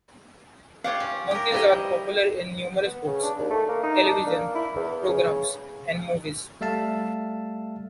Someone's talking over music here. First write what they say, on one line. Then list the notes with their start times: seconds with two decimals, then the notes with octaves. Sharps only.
Monkeys are popular in numerous books, television programs, and movies.
0.84 F4 G4 C#5 F5 F#5
1.00 C#4
1.31 G4 A#4
1.52 G3 E4 G4 C5 D#5 F5
2.86 B3
3.07 C#3
3.22 D4
3.39 D#2
3.50 A3
3.68 A#3
3.83 D#4
4.05 D4
4.26 A#3
4.55 E4
4.76 E2
5.06 C#3
6.61 G3 A3 E5 F5 A5